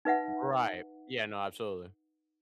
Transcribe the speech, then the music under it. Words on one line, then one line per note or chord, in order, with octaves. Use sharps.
Right, yeah, no, absolutely.
D#4 B4 E5 F#5